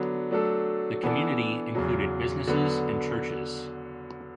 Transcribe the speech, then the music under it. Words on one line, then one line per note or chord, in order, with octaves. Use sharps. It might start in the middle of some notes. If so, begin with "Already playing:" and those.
The community included businesses and churches.
Already playing: D3 F#3 B3 D4
F#3 A3 D4 A4
E3 B3 D4 A4
E2 C#3 F#3
D3 F#3 B3